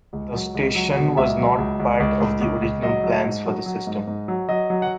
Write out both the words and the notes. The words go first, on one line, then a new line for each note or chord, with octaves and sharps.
The station was not part of the original plans for the system.
C#2
F#3
C#2
F#3
B2
C#2 E5
F#3
C#2
C#2
C#2
C#2
C#2
C#2
F#3 D#5
F#3
G#2
F#3
F#3
G#2
G#2
F#3
F#3 D#5
F#3
F#5